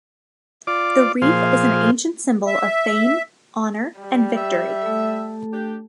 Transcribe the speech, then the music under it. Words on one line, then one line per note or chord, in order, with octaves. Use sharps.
The wreath is an ancient symbol of fame, honor, and victory.
F4 D5 D6
A#2 F3 G#4 C5 F5
E5
G3
E5
A3 A4
D4 G4